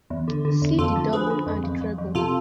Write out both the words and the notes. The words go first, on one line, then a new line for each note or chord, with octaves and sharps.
"See The Double and The Treble".
E2
D3
D3
E2
F2 F4 A4
D3
F3 G#4 B4
D3
F2
F2
F2
F2
C3 F4 A4